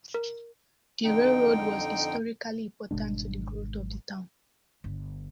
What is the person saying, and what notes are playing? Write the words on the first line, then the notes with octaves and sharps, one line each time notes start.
The railroad was historically important to the growth of the town.
A#4
F2 D3 D#4 G5
G#1 B2 G#3 D4
G1